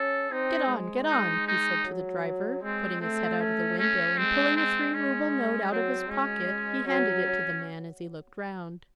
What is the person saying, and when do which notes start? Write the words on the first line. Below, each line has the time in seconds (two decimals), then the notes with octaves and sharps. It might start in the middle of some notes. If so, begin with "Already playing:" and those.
"Get on, get on!" he said to the driver, putting his head out of the window, and pulling a three-rouble note out of his pocket he handed it to the man as he looked round.
Already playing: C#4 A4
0.32 C4 D#4
0.71 G#3
1.09 D#4
1.48 D#4
1.86 F#3
2.63 G#3 C4
3.01 A3 C4
3.40 C#4
3.79 C#4
4.17 G#3 C4
4.56 C4
4.94 G#3 C#4
5.72 F#3 C4
6.10 G#3 C#4
6.87 F#3 C#4